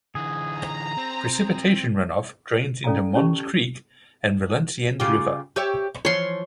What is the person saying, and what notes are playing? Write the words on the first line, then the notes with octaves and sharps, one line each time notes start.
Precipitation runoff drains into Mons Creek and Valenciennes River.
D3 E3 G#4
A#5
C4
C#4 A4 D5 F5 G#5 A#5
C#4 G4 A5 C#6
C#3 F4 G4
G4 C#5 E5
E3 F3 C#5 C6